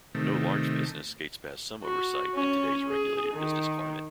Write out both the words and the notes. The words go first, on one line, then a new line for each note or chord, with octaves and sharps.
No large business skates past some oversight in today's regulated business climate.
C3 D#3 A3
F#4
C#4
G#4
D#3